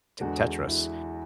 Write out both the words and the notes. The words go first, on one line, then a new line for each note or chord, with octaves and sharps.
T Tetris,
E2 D3 G#3 D4 F#4
E4